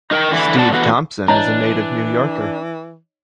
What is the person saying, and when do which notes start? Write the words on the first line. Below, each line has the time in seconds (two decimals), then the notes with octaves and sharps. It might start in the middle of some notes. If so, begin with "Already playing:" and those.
Steve Thompson is a native New Yorker.
0.11 D#4 A#4 F#5 G5
0.31 D3 E3 E4
0.58 B3 D5 A5
0.72 D3 E3 B3 F#4 B4
1.28 E3 D4 D#4 C#5 D#5 A#5